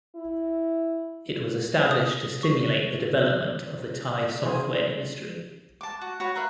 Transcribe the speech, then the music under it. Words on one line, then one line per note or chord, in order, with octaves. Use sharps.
It was established to stimulate the development of the Thai software industry.
E4
D#6
C#6
C#3 E3 E4 G#4 C5
A5 D6
F#4
F#4 B4 C#5
A#4 B4 E5 F5